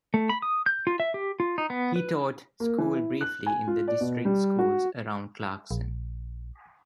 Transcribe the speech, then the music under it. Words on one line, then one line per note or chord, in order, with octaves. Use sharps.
He taught school briefly in the district schools around Clarkson.
A3
B5
D#6
G6
F4
E5
G4
F4
D#4
B3
B4
A#3
E3
E4
F#6
G#5
F4
D5
B2
G3
F#4
A#1